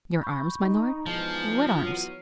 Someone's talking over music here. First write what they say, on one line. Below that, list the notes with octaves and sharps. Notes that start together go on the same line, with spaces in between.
"Your arms, my lord--what arms?"
B5 C#6 G6
D#4
E2 G#2 F3 G#3 A5
E2 F#3 F6 C7 D#7